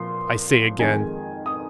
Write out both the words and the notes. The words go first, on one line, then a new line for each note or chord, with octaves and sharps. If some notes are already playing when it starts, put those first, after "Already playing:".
I say again.
Already playing: A#2 F3 C6
F2 D#3 G#3 G#5
D#6